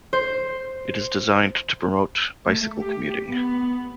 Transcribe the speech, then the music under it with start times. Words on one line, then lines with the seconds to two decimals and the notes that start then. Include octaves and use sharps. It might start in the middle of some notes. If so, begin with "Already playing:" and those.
It is designed to promote bicycle commuting.
0.13 C5
2.46 A3
2.78 G4
3.27 B3